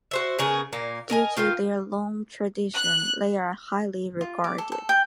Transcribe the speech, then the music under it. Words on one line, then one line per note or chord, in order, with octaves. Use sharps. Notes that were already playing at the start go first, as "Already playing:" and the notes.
Due to their long tradition, they are highly regarded.
F#4 C5 E5
C#3 B3 G#4 A#4
A#2 A#3
A#4 D#5 G#5
D#3 F4 F5 G5
F#6
F4
D5
A4
A4
G5